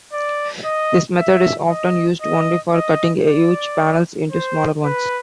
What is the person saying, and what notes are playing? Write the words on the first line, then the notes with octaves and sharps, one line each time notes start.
This method is often used only for cutting huge panels into smaller ones.
D5
D#5
E5
D#5
D#5
D#5
D5
C5
B4